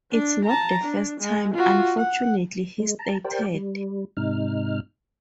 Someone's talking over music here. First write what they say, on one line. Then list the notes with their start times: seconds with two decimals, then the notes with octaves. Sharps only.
"It's not the first time, unfortunately," he stated.
0.12 D4
0.45 A5 A#5
0.84 D4
1.20 G#3
1.54 F4 F#4
1.97 F#5
2.80 G#3
2.99 A5 A#5
3.24 G4 A#4 C5 D5 G5
3.54 G3
4.17 G#2 C3 D#4 F6